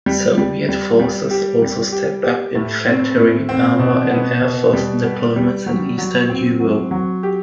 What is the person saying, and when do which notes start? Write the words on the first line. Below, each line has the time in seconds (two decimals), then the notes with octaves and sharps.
Soviet forces also stepped up infantry, armor and air force deployments in Eastern Europe.
0.06 G3
0.38 G3
0.69 G3
0.99 G3
1.30 G4
1.62 G3
1.92 G4
2.24 G4
2.55 A2
2.87 C4
3.17 A2
3.49 C4
3.79 B2
4.10 B3
4.42 B2
4.74 G3
5.04 B3
5.36 G3
5.66 F#3
5.98 F#3
6.29 C4
6.60 F#3
6.91 F#3
7.23 G4